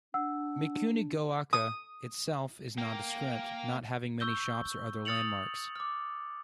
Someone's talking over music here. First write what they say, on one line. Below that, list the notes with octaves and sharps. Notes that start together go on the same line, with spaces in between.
Mikunigoaka itself is nondescript, not having many shops or other landmarks.
D4 F#5 E6
D#6
A#3 F#5 G5
C#6 E6 G6 G7
D#6 F6 A6 C#7 F7 F#7
D6 F6